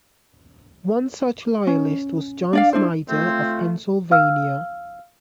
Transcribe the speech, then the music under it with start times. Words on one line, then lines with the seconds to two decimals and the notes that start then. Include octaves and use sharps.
One such Loyalist was John Snider of Pennsylvania.
1.67 C#4
2.53 D4 D5 F5
2.73 D4 E4 C5
3.09 A3 C4 F4
4.11 F5 E6 F6